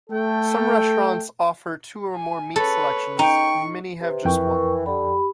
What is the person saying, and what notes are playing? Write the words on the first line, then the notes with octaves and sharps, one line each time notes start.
Some restaurants offer two or more meat selections; many have just one.
A3 A4 G5
G#5
A4 B4 C#5
D#4 G5 C#6
C3 B4
F2 E3 A#4 G5 C#6
D3 G4 B5